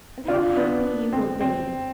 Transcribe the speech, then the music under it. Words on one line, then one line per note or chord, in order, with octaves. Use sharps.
And how happy you will be!
D4 F4
B3 D4
C4
C4